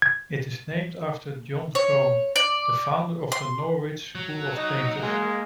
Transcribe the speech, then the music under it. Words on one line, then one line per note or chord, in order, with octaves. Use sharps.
It is named after John Crome, the founder of the Norwich school of painters.
G#6
C#5
D5
C6
F#3
D#4
G#3 A#3